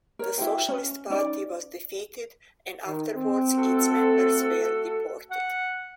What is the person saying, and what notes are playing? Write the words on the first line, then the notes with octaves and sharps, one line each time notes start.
The socialist party was defeated and afterwards its members were deported.
A#4 C#5
E4 F#4 C5 G5
C#4
C#4 D#4 D5
D#3
C4
A3 F#4 A4
F#5